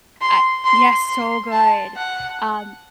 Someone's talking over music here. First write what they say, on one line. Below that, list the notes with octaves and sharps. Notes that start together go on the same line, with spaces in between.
I yes, so good. Um
C6
C6
C6
A5
F#5